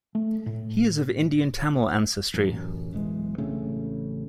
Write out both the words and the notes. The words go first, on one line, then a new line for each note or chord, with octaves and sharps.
He is of Indian Tamil ancestry.
A3
A2
A1 F#2
D1 B1 E3 G#3
A1 C#3 A3 C4